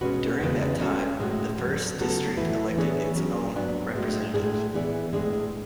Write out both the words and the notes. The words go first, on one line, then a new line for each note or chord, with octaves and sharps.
During that time, the first district elected its own representative.
B2 G#3 C#4 F#4 B4
E2 C#3 E3 G#3 B3
G#3 C#4 F#4 A4 C#5
A2 G#3 C#4 F#4
E2 D3 F#3 B3
C#3 F#3 B3 F#4 A4
A2 E3 A3 E4 B4
E3 B3 D4 G#4 C#5
F#3 C#4 G#4
G#2 F#3 B3 D4
A2 G#3 D4 F#4
A2 G#3 D4 G#4
E3 B3 E4 G#4 D5
A2 G#3 D4 G#4